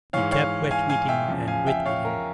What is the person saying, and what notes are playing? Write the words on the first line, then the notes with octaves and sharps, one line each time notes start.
We kept wetweating and wetweating.
G#2 E3 C#5 F5
C#5 F5
F5 G#5
F5 G#5
E5 G5
E2 C#3 F3
F5 G#5
E5 G5
C#5 F5
A#4